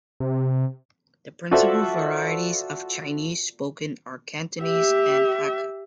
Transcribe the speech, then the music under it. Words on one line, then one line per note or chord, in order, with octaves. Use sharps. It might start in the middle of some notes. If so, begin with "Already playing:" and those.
The principal varieties of Chinese spoken are Cantonese and Hakka.
C3
F4 F#4 A4 C5 D5 E5
G4 E5